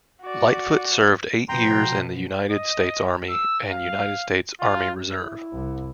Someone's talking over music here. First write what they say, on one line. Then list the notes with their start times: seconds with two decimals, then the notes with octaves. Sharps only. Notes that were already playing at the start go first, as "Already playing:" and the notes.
Lightfoot served eight years in the United States Army and United States Army Reserve.
0.22 F#4 D5
1.49 B2 F3 G5 A#5 C6
2.51 D#5
3.29 E6
3.72 F5
4.61 F4
5.21 E4
5.53 C2